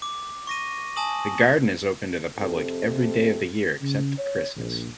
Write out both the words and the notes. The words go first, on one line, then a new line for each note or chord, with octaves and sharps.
The garden is open to the public every day of the year except Christmas.
D6
C#6 A#6 D#7
G#5 A5 D#6 F#7
F2 C3 C4 A4
C#3
C#5
A#1